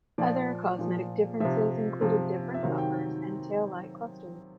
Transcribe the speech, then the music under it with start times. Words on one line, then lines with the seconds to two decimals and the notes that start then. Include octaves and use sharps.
Other cosmetic differences included different bumpers and taillight clusters.
0.18 A#2 F3 D5
0.79 A#2 F3
1.40 C3 F3 E5
2.01 C3 F3
2.54 E5
2.63 C3 D#3 F#3 F5
2.78 G5